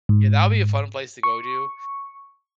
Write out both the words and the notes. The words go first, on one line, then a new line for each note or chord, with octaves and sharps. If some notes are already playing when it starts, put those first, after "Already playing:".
Yeah, that'll be a fun place to go to,
G#2
C#6